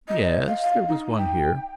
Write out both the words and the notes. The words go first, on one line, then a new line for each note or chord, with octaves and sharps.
"Yes, there was one here."
D#5
F5
F5
D#4
G5